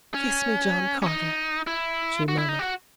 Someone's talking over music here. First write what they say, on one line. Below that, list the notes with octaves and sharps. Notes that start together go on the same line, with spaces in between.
"Kiss me, John Carter," she murmured.
C#4
C#4
D#4
E4
F#4
E4
D#4
F#4